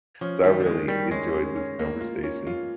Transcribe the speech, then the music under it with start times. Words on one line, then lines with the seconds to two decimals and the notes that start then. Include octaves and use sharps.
so I really enjoyed this conversation.
0.21 F3 C#4
0.44 D#3 G3
0.60 G3
0.65 D#3 G#3
0.88 D#3 G3
1.11 G#3 C#4
1.34 C#4
1.56 C#4
1.79 A#3
2.01 F4
2.23 C#4
2.47 F4